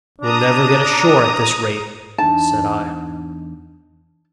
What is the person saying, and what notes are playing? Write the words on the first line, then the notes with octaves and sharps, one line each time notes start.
"We'll never get ashore at this rate," said I.
D4 A#5 D#6
E2 D4 D#4 A5